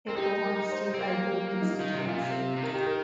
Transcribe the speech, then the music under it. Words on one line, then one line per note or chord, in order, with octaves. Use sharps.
It belongs to Aiwo Constituency.
C4 A#4
D#4 G4
A#4
C5
C5
C4
A#3 A#4
G4
F4
D#4
F4
D#3 D#4
C3
A#2 F4
C3
C3
D#3 A#4
G4
A#4